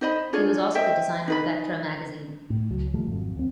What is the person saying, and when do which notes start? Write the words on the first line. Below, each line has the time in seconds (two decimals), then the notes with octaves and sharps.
He was also the designer of Vetro Magazine.
0.01 D#4 C5 D#5 B5
0.33 D4 F4 G#4 C#5
0.75 C5 D#5 E5 G5
1.28 D#4 B4 B5
2.50 A2
2.71 C#2 F#3
2.94 D#3 F3 G3 A3
3.07 G#1 F2 F#3
3.36 D#2 C4